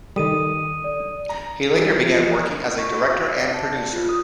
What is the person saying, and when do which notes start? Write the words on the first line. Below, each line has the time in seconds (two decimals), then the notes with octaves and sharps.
He later began working as a director and producer.
0.16 D#3 G3 A4 D#6 D#7
0.84 D5
1.29 A#5
1.74 E3
2.05 F3
2.78 C#6
2.90 F#4
3.11 F5
3.33 D5
3.54 A5
3.93 F4
4.09 D#6